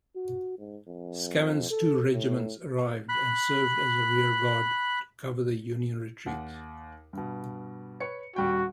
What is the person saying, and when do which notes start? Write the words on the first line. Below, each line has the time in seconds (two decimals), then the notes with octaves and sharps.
Scammon's two regiments arrived and served as a rear-guard to cover the Union retreat.
0.16 F#4
0.59 G#2
0.88 F2
1.71 A4
2.14 A2
3.09 B5 F#6
6.26 D#2 F#5
7.13 G2 B2
8.00 B4 C#5 C#7
8.36 D#1 G3 F#4 G5